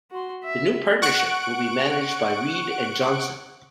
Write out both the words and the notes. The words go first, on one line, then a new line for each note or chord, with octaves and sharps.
The new partnership will be managed by Reid and Johnsen.
F#4 C6
E5
F#5 C#6 F#6 D7